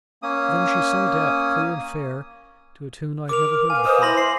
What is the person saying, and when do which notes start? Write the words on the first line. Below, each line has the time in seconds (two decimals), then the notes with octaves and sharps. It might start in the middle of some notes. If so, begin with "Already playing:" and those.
Then she sung it out clear and fair to a tune I had never heard before.
0.23 A#3 C#4 D#6
3.29 A#4 D6 F7
3.70 B4 F5 G#5 F6
3.85 B4 C5 D#5 D#6
4.02 E4 E5 B5 C6 A#6 F#7
4.18 C7